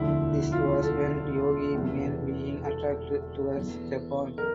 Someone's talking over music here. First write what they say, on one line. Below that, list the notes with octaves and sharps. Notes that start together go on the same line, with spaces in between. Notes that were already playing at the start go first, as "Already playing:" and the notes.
This was when Yogi began being attracted towards Japan.
Already playing: E1 D2 D3 F3 E4
F4
A4
E1 E2 C3 E3
A4
E2 E3
A#4